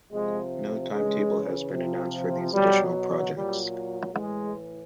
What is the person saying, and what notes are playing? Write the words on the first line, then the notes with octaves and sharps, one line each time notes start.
No timetable has been announced for these additional projects.
C3 F3 G#3
C#3 E3 G#3
C3 F3
B2 F#3 G3
A#2 F#3 G3
A2 E3 G#3